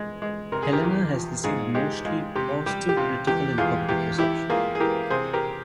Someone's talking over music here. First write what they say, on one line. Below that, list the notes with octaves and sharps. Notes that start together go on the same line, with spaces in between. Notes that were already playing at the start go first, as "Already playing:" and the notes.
Helena has received mostly positive critical and public reception.
Already playing: G#3
G#3
C3 A#4
G#4
G4 A#4
E2
F3
G#2 F4 G#4
G#3 G4
G#3 F4
C3 G4
G3 G4
G4
C3 F4
E2 G4
E2 F4 G#4
E2 G4
E4 G4
A#3 F4 G#4
G#4
E3 G4 A#4
C3 G#4 C5
G4 A#4